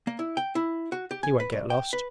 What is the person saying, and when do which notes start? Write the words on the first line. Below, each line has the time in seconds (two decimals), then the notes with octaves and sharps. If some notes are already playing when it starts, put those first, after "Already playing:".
'He won't get lost.
0.07 A#3
0.19 E4
0.37 G5
0.55 E4
0.92 F#4
1.11 G4
1.23 G#5
1.40 B4
1.52 C2
1.70 G5
1.93 B4